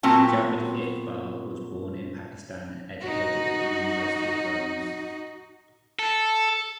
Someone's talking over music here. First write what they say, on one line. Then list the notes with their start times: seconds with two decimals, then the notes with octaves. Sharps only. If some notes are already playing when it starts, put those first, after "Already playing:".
Javaid Iqbal was born in Pakistan and educated at the University of Birmingham.
0.03 A#2 F#3 B3 C4 A5 A#5
3.01 D#4 F#4
5.99 A4